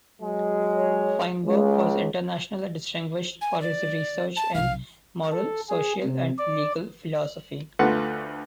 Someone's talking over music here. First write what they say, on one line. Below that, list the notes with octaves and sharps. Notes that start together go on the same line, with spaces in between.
Feinberg was internationally distinguished for his research in moral, social and legal philosophy.
F#3 G#3
C#5
C#2 G#3
G#5
D5
A5
B1 C3 F5
A4
G#4
C3
D5
D2 A3 F4 B4 F#5